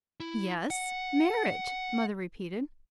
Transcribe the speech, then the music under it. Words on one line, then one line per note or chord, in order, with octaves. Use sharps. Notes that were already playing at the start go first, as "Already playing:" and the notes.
"Yes, marriage!" mother repeated.
E4
F#5